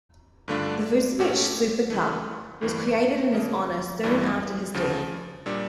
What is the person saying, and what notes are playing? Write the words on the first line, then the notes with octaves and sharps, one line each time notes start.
The "Vukcevich Super Cup" was created in his honor soon after his death.
G2 D3 A3 D4 F4
A#2 A3 C#4 G4
C#3 E3 A3
G1 G2 E3 G3 A#3
C#3 F3 A#3
A1 G2 E3 G3
D2 C#3 F3
A#2 G3 D4